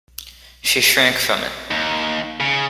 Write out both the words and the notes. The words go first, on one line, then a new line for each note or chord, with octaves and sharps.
She shrank from it.
D#2
C#3